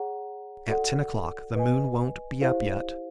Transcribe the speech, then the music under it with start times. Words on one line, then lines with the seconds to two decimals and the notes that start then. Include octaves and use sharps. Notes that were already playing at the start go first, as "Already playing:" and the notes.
At ten o'clock the moon won't be up yet.
Already playing: G#4 C#5 F#5 A#5
0.68 F#4 A4 D5 F#5
1.55 B4 D#5 G#5
2.41 E4 G4 C5 F5